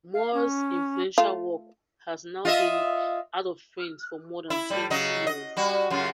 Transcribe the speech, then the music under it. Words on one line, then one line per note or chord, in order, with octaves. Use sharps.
Moore's influential work has now been out-of-print for more than twenty years.
F5
C#4
A3 F4
F4 D#5 E5
E4
A2 G3
C#3 F#3 D#5
D#5
G3 F#4
F#2 C#3 F4